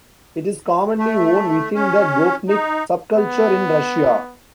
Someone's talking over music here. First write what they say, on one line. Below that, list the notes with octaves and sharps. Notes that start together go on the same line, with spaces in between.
It is commonly worn within the "gopnik" subculture in Russia.
A3
C#4
D#4
B3